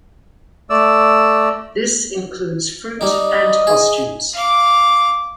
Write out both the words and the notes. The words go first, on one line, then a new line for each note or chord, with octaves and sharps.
This includes fruit and costumes.
A3 D5 E6
G3 D#4 D#5
G#4
F5 D6